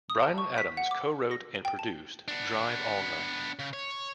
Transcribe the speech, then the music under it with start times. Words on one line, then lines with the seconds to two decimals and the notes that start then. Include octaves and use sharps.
Bryan Adams cowrote and produced "Drive All Night".
0.10 D#6
0.23 A5
0.38 C#6
0.58 B6
0.77 F#5
0.91 D6
1.31 A#6
1.65 G5
1.79 A5
2.28 B3 D4
3.59 C#3
3.73 C#5